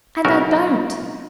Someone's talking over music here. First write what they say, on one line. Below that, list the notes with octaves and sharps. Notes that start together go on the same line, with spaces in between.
And I don't.
B1 C#3 F#4 A#4